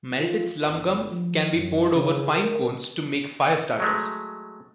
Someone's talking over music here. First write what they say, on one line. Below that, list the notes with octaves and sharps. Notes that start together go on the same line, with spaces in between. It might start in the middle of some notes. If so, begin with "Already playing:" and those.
Melted slumgum can be poured over pine cones to make fire starters.
F4
G1
F3
F#2
C#3
A#4
F#3 G#3 A3